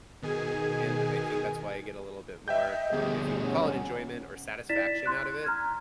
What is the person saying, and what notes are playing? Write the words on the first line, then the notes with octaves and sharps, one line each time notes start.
and I think that's why I get a little bit more, if you would call it, enjoyment or satisfaction out of it,
B2 D#3 G#4 G#5
D#5 E5 G5 G6
D2 B2 G4 G#4
C#4 F#5
E4 D5 A6 B6 E7
C6 F#6
A#5 F6 G#6